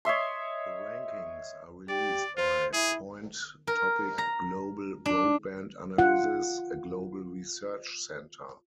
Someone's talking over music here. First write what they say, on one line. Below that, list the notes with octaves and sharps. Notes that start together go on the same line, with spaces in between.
The rankings are released by Point Topic Global broadband analysis, a global research centre.
C#5 D#5 E5 C6
G4 D5
F4 C5
E4 G#4
A#4
A#5
D4
F4 F#5